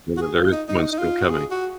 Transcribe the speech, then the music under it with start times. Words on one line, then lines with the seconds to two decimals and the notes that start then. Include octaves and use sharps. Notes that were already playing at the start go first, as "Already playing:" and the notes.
Though there is one still coming.
0.17 F#4
0.21 G#4
0.36 F4
0.52 D#4
0.68 D#4
0.92 D#4
0.99 F4
1.22 F#4
1.30 G#4
1.51 F#4